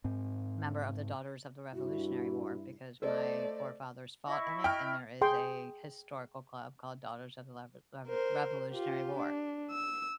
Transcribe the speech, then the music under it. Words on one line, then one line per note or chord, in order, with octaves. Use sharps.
member of the Daughters of the Revolutionary War because my forefathers fought in it and there is a historical club called Daughters of the lever lever Revolutionary War.
G#2 C4
G2 E4 F#4
A3 A4 C5 D5 D#5
E4 D#5 C#6
G5 F6
G#4 G5 C6
A#4 C5
F4 G4
D4
E6